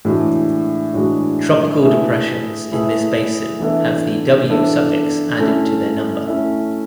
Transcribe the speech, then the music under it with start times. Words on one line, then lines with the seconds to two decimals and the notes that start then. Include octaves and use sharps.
Tropical depressions in this basin have the "W" suffix added to their number.
0.05 A2 E3 G#3 D4 F#4
0.94 A2 E3 G#3 D4 F#4
1.82 A3 E4 G#4 B4 E5
2.72 A3 E4 G#4 B4 E5
3.60 E3 B3 D4 A4 E5
4.49 E3 B3 D4 A4 E5
5.38 A3 C#4 E4 A4 E5
6.26 A3 C#4 E4 A4 E5